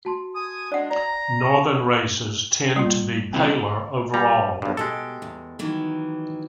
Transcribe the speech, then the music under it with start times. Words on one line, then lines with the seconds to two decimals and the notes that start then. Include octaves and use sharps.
Northern races tend to be paler overall.
0.05 F#4 A5 C6
0.35 G#5 D#6
0.72 G#3 D4 D5 F#5
0.91 D5 A#5
1.40 C#6 D#7
2.76 G3 A#3 F4
3.34 C3 E3 C#4
4.14 G3 A#5
4.62 B1 G2
4.77 B2 G#3 G4 A4
5.22 E2
5.59 D#3 E3 F#3